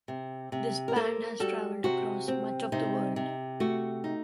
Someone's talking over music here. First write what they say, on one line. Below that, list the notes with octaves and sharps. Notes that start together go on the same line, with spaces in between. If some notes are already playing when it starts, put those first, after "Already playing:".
This band has travelled across much of the world.
C3
C3
A#4
A#3 A4 C5
G3 F#4 A4
C3 F#4
C4
C3 D#4
C3
A3 F#4
D#4